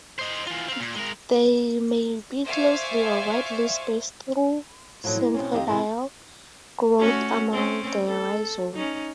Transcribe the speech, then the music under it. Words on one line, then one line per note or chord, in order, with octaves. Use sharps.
They may be closely or widely spaced through sympodial growth along the rhizome.
C5 D#5
E3 F4
C4 F5
A#2
G#3 A#4
C5 D5 E5 F5 G#5 C#6
A2 F3 F#3 A3
G#3
B2 C4 C#4
F2 D#3 C4 G4 D#5 F5
C3 E3 E4 G4 A#4
A3 C#4 F#4
C4 C#4
A4
C#4 D#4